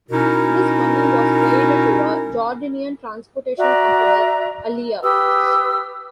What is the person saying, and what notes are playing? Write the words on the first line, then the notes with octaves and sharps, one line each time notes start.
This money was paid to a Jordanian transportation company, Alia.
B2 C#4 D#4 E4 A#4
F#4 D5 E5 A#5
G4 B4 D#6 E6